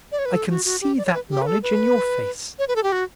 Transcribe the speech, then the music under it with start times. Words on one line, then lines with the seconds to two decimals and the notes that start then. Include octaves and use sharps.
I can see that knowledge in your face.
0.12 D5
0.19 C#5
0.25 B4
0.33 A4
0.50 F#4
0.65 F#4
0.81 G4
0.98 D5
1.05 C#5
1.14 B4
1.30 G4
1.42 B4
1.47 A4
1.63 B4
2.59 C#5
2.68 B4
2.76 A4
2.83 G4
2.92 F#4